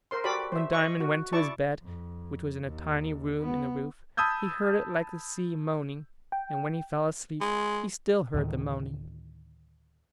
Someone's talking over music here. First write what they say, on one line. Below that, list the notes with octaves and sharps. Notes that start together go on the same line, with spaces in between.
When Diamond went to his bed, which was in a tiny room in the roof, he heard it like the sea moaning; and when he fell asleep he still heard the moaning.
A#4 C5 C6
F#4 G4 A4 C5 D5 B5
C5 E5
D#5 C#6
F#4
E4 D5 A5 C#6
F2
D#2
B3
A5 B5 D#6 E6 G6 G#6
G5
G#3
D2 A2 D#3